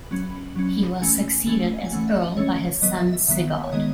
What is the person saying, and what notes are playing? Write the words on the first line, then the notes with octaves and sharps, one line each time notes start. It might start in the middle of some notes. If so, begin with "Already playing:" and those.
He was succeeded as earl by his son Sigurd.
Already playing: B5
F#3 C#4
F#3 C#4
E3 A3 C#4 G#5
E3 A3 C#4
G#5
E3 A3 C#4 F#5
E5
D#5
E3 A3 C#4 C#5
D#3 F#3 B3 D#5
E5
E5
D#3 F#3 B3 E5
C#5
D#3 G#3 B3 D#5